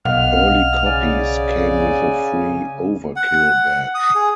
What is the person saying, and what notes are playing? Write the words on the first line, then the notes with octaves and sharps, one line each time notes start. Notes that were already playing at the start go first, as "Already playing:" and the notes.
Early copies came with a free "Overkill" badge.
B1 D#5 F5 F#5 F6
C#3 D5 G#5
F#5
D#6
G#4